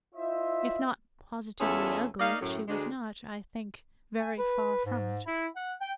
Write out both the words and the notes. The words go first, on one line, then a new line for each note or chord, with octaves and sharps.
If not positively ugly, she was not, I think, very far from it.
E4 F4 C5 D#5 E5
E2 C#4 F4 G#4 A4 E5
A#3 D#4 D5 D#5 F5
F#2 A2
D2 G#3 D4
G#5
B4
G#2
E4
F#5
G5